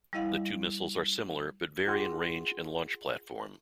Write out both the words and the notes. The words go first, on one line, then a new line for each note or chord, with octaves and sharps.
The two missiles are similar, but vary in range and launch platform.
G3 E4 D#5 F5 F#5
F4 G#4 F#5 G5 C6